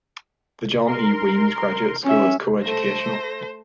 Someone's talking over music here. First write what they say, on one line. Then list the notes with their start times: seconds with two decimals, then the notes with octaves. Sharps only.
The John E. Weems Graduate School is coeducational.
0.87 A#4 C6
2.05 C#4 E5
2.61 A3 C5 A#6